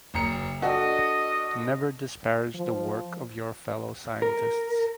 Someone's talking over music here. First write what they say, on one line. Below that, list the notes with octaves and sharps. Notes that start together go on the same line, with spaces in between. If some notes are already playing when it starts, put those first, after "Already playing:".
Never disparage the work of your fellow scientists.
F#1 A#5 C#7
D4 F#4 A4 D#5
F3
A#4